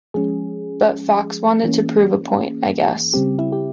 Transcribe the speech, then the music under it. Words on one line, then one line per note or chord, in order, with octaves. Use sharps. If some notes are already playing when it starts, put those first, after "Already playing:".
But Fox wanted to prove a point, I guess.
F3 G#3 C#4 G#4
E3 A#3 C#4
C#3 G3 C4 G4
E4
G4